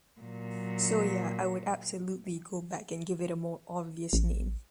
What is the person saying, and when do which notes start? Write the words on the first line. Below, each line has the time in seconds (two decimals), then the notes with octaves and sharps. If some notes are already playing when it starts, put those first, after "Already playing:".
So yeah, I would absolutely go back and give it a more obvious name.
0.20 A#2 F#3
4.13 A1